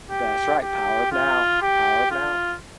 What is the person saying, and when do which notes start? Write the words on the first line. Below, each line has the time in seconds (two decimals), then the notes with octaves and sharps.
That's right, Power of Now, Power of Now.
0.11 G4
0.62 G4
1.12 F4
1.62 G4
2.11 F4